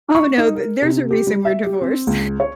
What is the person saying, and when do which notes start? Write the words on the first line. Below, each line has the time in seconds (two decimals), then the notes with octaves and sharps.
Oh, no, th there's a reason we're divorced.
0.15 C#6
0.38 D#4
0.55 A#4
0.82 C3
1.11 G4
1.27 G3
1.45 E5
1.65 G4
1.81 C4
2.07 C#2
2.40 C#5